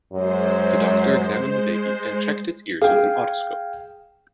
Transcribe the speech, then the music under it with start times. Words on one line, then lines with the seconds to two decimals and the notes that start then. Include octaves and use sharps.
The doctor examined the baby and checked its ears with an otoscope.
0.13 F#2 G#3 C5
2.82 G#4 F5 G5